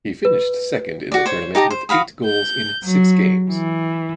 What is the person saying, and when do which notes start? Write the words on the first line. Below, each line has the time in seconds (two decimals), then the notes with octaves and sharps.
He finished second in the tournament with eight goals in six games.
0.25 B4
1.12 F#4 D5
1.26 C5 C#5
1.55 D#4 G4 A5 A#5
1.70 C5
1.89 F#4 F5 B5 D#6
2.25 G6
2.84 F#3
3.50 E3